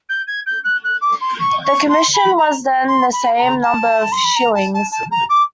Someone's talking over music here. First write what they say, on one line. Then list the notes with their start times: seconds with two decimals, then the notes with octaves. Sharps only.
The commission was then the same number of shillings.
0.09 G6
0.27 G#6
0.46 G6
0.64 F#6
0.84 F#6
1.01 D6
1.20 C6
1.39 C#6
1.64 C#6
1.89 C6
2.13 B5
2.37 A#5
2.88 C6
3.12 B5
3.37 A#5
3.62 A5
4.12 C6
4.24 B5
4.36 A#5
4.54 A5
4.74 A5
4.91 A5
5.11 A#5
5.29 D6